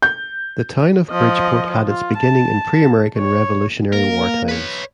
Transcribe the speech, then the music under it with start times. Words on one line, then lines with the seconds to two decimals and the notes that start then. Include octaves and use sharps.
The town of Bridgeport had its beginning in pre-American Revolutionary War times.
0.02 G6
1.10 F3 D#5
1.86 F4
2.17 A5
3.17 C#5
3.93 A#3 A#4
4.49 B4 C#5